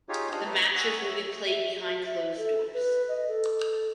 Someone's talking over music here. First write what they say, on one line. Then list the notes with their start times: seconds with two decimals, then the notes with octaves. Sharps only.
The matches will be played behind closed doors.
0.09 D#4 F4 G4 G#4 C#5
0.31 D4 F4 C5 C#5 D#5
0.45 B4 D#5 E5 A#5
0.61 D#4
0.75 F#5 G#5 C#6 D#6 E6 F#6
1.02 C#5 E5
1.47 E5
1.85 F#4
2.05 E5
2.38 A4
2.74 B4
3.09 D#5
3.28 A4